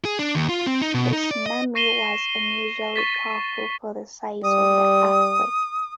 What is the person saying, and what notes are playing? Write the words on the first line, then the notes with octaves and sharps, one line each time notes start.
The tsunami was unusually powerful for the size of the earthquake.
G#4
D4
D#2
F4
C4
D#4
B2
D#4
D5
D#5
C#6 A#6 C7 D#7 E7 G7
C#6 A6 B6
A6
G3 D#6